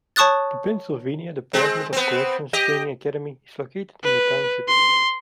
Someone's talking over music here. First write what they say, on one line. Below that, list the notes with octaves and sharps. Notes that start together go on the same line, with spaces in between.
The Pennsylvania Department of Corrections Training Academy is located in the township.
C#5 A5 C#6 D#6 F#6 A6
G#3 C4
B3 C4
G4 D#5
B4
C6